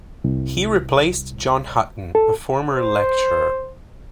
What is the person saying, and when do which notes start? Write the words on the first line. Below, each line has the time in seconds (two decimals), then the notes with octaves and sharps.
He replaced John Hutton, a former lecturer.
0.24 C2
2.15 A4
2.72 C5